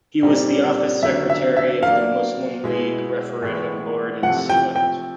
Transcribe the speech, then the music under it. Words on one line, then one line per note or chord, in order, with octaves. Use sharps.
He was the office secretary of the Muslim League referendum board in Sylhet.
A#2 G3 C4 D#4
D3 F#3 A#3 C#4 E5
E5
E5
F#3 A#3 D4 F5
B2 G#3 B3 E4
A2 E3 G#3 B3
C3 F3 A3 F#5
G5
G5